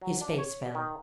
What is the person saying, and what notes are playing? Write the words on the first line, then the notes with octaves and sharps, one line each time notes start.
His face fell.
F#3
D4
C#5
D5
D#3